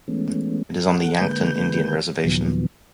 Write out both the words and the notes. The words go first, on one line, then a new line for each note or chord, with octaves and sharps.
It is on the Yankton Indian Reservation.
E3 G#3 A3 B3 C#4
A4 F#5
D3 G#3 A#3 B4 G6
D#2 A#2 D#3 F3 F#3 B3